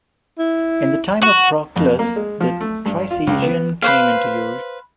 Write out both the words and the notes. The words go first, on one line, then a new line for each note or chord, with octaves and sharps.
In the time of Proclus the Trisagion came into use.
E4
F#4 F#5
F2
A#3
G#3
F3
A3
G2
F4
C#2
B3
B4 C5 F5